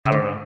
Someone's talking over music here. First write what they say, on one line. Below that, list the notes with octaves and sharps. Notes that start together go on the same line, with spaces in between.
I don't know.
C#3
D3